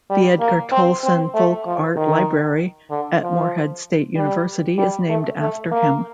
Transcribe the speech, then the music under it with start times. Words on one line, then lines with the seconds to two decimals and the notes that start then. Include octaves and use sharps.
The Edgar Tolson Folk Art Library at Morehead State University is named after him.
0.10 G3
0.41 A#3
0.72 C4
1.04 C4
1.35 A3
1.66 F3
1.97 D#3
2.91 D3
3.22 F3
4.16 G3
4.78 G3
5.09 A3
5.40 A3
5.72 A#3